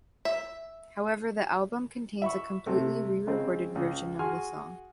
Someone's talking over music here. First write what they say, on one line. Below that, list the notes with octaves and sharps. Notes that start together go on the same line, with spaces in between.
However, the album contains a completely re-recorded version of the song.
E5
E5 B5 C#6
C3 A3
C#3 G#3 C4
C#2
F#4 G#4 G#5 C6 F6